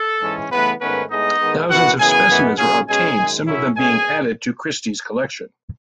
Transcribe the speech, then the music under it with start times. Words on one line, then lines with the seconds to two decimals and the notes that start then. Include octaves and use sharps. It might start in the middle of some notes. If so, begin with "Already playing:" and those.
Thousands of specimens were obtained, some of them being added to Christy's collection.
Already playing: A4
0.21 G#2 E3 G#3 C#4
0.50 C#3 E3 A3 B3 B4
0.80 G#2 D#3 A3 B3 C#4 B4
1.10 A2 G#3 B3 D#4 D#5
1.39 D#3 G#3 B3
1.69 F#2 E3 B3 F#4 F#5
1.98 F#2 C#3 E3 B3 G#4 G#5
2.28 F#2 E3 G#3 B3
2.57 C#3 F#3 C#4 G#4 G#5
2.87 B2 G#3 C#4 G#4 G#5
3.16 F#2 D#3 G#3
3.46 F#2 C#3 F#3 C#4 E4 E5
3.75 B2 A3 C#4 G#4 G#5